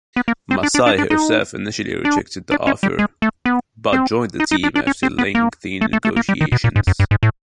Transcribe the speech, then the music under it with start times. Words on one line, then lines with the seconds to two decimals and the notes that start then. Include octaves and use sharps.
Masai herself initially rejected the offer, but joined the team after lengthy negotiations.
0.16 B3
0.28 A#3
0.51 C4
0.63 D4
0.75 D4
0.86 D4
0.98 D4
1.10 D#4
2.05 D4
2.51 D4
2.67 C#4
2.83 G3
2.99 G#3
3.22 A3
3.46 B3
3.93 C4
4.40 D#4
4.51 D#4
4.63 D4
4.75 D4
4.87 C#4
5.03 C4
5.18 B3
5.35 A#3
5.81 A3
5.93 A3
6.05 A3
6.16 A#3
6.29 G3
6.41 D#3
6.52 B2
6.64 A#2
6.76 G#2
6.87 F#2
7.00 G2
7.11 G#2
7.23 A2